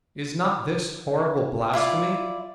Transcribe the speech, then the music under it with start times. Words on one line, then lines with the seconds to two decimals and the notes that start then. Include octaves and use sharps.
Is not this horrible blasphemy?
1.73 E4 F4 D5